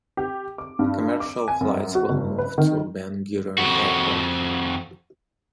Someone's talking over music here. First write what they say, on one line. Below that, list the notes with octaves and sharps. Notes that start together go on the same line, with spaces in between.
Commercial flights will move to Ben Gurion Airport.
G4
D6
G2
D6
G#5
F#2
F#4
F#1
B4
D#3
F2 F#4